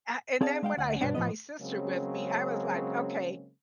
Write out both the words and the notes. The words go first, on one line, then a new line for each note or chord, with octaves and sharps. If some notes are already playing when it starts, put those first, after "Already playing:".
Ah and then when I had my sister with me, I was like, "Okay,
C4 G#4 D5 F5 A5
G#3 F5 G5
D2 F#5
G2 B2 B3 D4
A2 F3 B3 D#5
C#3 F#3 G#3 A#3 C4 C#4